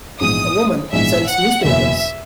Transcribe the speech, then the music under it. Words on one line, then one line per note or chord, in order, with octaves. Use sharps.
A woman sells newspapers.
A#1 G#2 E3 G#3 B3 D#6
A#1 G#2 E3 G#3 B3 E5
F#5
F#1 E2 B2 A#3 C#4 E5